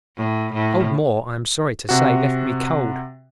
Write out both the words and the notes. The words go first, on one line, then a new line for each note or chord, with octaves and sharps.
Old Moore, I am sorry to say, left me cold.
A2
A2
C3 F#4